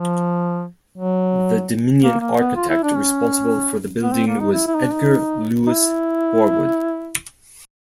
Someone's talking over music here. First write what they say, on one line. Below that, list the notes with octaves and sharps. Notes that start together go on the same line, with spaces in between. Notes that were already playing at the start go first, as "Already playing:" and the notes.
The Dominion Architect responsible for the building was Edgar Lewis Horwood.
Already playing: F3
F#3
A#3
A#3
B3
F4
E4
D4
C#4
B3
C4
A#3
D#4
E4
E4
D#4
D4
D#4
D#4
E4